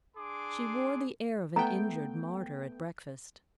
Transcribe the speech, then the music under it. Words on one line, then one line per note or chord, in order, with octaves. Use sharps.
She wore the air of an injured martyr at breakfast.
D4 G#4 C6 D6
A3 B3 G5 A#5